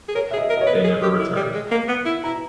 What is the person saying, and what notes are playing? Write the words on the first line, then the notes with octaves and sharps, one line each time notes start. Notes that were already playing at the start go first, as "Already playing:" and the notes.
They never returned.
G#4
A#4 C#5
G#4 E5
D#5
A#4
D#5
C#5
B4
G#4
G4
E4
G3
G#3
A#3
B3
E4
E4 A#5